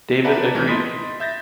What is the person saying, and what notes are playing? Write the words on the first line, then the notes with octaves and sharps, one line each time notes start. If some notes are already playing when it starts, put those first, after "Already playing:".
David agreed.
B4 D5 E5 F#5 A5 A#5
D#2 B2 E3 A3 C#4
D#5 B5 C6 D#6 A6 B6
E5 G6 A6 A#6